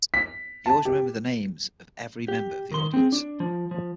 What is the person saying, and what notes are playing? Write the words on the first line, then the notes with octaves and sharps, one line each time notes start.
He always remembered the names of every member of the audience.
B6
A5
G4
G4
D#3 C6
C4 G#4
D4
F3
F3